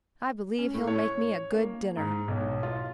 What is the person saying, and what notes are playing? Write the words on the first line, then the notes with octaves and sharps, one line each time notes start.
I believe he'll make me a good dinner.'
C#4
A2
C#5
A#3
G#2
B1
F4